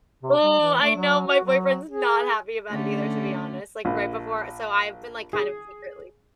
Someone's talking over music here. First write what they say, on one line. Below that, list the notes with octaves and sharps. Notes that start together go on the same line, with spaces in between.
Oh, I know my boyfriend's not happy about it either, to be honest, like right before So I've been, like, kind of secretly
C3
G3
E3
A3
F#3
F#4
F#3
G#4
D3 A3 C#4
A#1
G#4